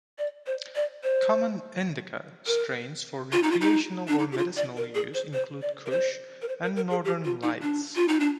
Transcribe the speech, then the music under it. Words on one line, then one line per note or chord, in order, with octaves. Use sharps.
Common "indica" strains for recreational or medicinal use include Kush and Northern Lights.
D5
C5
D5
C5
A#4
F4
D#4
F4
D#4
D4
D#4
G4
F4
D5
A#4
G#4
C5
C5
D5
A#4
C5
A#4
C5
A#4
A#4
G#4
G4
F4
D#4
D4
F4
D#4
D4